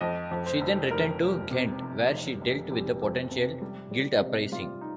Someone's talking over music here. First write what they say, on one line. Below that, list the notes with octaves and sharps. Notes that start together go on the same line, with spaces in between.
She then returned to Ghent, where she dealt with a potential guild uprising.
F2 D#5
F2
C5
F1
F1 A#4
F1
C3
F1
F1
F1
F1 G4
F2
C3
G3
G3
C3
G3 F4
D#4